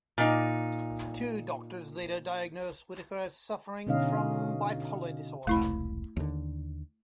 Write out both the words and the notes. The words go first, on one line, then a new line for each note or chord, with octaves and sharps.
Two doctors later diagnosed Whitacre as suffering from bipolar disorder.
A#2 D#4
B2 D3 C#4 D#4 D#5 F5
E1 C2 A3 E4 B5
D#2 D3